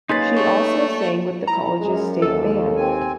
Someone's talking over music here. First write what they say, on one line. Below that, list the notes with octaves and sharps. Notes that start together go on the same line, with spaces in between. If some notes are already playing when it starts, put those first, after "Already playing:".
She also sang with the college's stage band.
F#3 A#3 C#4 D#4 G#4 B4 C6 A6
A3 C#6
E4 A#5
F#2 G#3
D#2 A4
C4 G#5